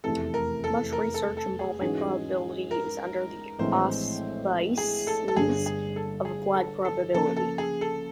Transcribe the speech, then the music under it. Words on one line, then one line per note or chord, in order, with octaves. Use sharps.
Much research involving probability is done under the auspices of applied probability.
F1 E2 C3 E3 A3 A4
A#4
A4
A#4
A4
A4
G#4
G#2 E3 G#3 C#4 F#4 G#4
A#4
A#1 A2 E3 G#3 C4 C5
G#4
A4
A4
G1 G2 D3 G#4
G#4
A4
G#4
A4
A4
C#3 F3 A#3 A4
A4
G#4
A4